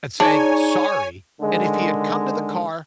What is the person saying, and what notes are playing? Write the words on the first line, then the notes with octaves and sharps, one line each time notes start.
and saying "Sorry," and if he had come to the car,
D4 D#4 G#4 C#5 D5 G#5
D3 D#3 G#3